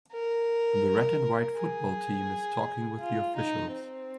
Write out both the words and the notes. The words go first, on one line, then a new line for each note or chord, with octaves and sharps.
The red and white football team is talking with the officials.
A#4
G#4
F4
D#4
C4